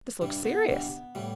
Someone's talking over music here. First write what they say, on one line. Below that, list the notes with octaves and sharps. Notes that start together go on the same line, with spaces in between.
This looked serious.
G2 E3 G3
B3
G2 E3 G3
A2 E3 G3